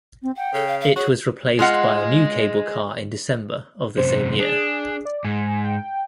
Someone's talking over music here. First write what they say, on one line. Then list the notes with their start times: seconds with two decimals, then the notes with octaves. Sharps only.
It was replaced by a new cable car in December of the same year.
0.22 C4
0.36 F#5 G5
0.54 C#3 A4
0.67 F5
0.81 F5
0.96 F#4 G#4 C#5
1.59 G#3 F4 G#4 D#5 F#5
3.97 F#2 C3 C5
4.40 D4 G#4
5.05 D5
5.24 G#2 G#5
5.64 G5